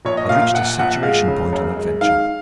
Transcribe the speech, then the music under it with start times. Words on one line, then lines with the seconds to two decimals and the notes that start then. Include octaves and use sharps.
I'd reached a saturation point on adventure.
0.05 A#1 C#5
0.17 D#5
0.29 A#2 F5
0.42 F5
0.54 A#1 F#5
0.79 A#1 F#5
1.03 G#3 F5
1.28 C#3
1.53 F#2
1.76 G#3
2.01 D#3 F5